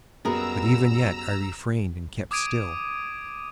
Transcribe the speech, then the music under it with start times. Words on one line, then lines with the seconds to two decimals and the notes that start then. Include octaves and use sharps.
But even yet I refrained and kept still.
0.25 F#2 G3 B3 F#4 G#4 A#4 A#5 E6
2.31 D6 D#6 G#6 D7 D#7